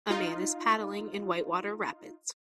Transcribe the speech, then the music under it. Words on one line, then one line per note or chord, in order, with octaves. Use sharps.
A man is paddling in whitewater rapids.
D#4 F4